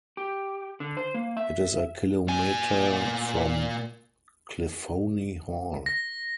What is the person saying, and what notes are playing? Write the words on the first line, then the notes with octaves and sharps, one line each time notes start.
It is a kilometer from Cliffoney Hall.
G4
D3
C5
A#3
E5
A#2 G#5
A#6